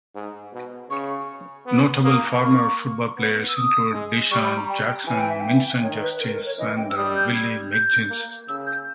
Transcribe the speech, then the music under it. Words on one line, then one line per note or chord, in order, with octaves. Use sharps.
Notable former football players include DeSean Jackson, Winston Justice, and Willie McGinest.
G#2
B2
C#3 C#6
B3
A#3 D#6
A#3 C#6
B3
E6
D#6
G#3
G3 C#6
B5
A#5
G5
G5
E3 G#5
G5
E5
G5
D#3 C#5
B4
A#4
A#4
C#5
E3 D#5
G5
E6
G3 D#6
G6
G#6
G6
A#3
C#3 E6
G6